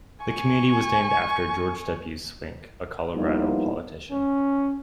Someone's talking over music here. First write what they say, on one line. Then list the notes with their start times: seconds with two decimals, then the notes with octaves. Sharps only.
The community was named after George W. Swink, a Colorado politician.
0.25 G#5 C#6
3.14 F3 G3 A#3 B3 D#4 E4
4.11 C#4